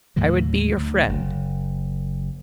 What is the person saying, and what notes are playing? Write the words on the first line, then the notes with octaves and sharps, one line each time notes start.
I would be your friend.
D#2 A2 D3 F#3
D2
F#1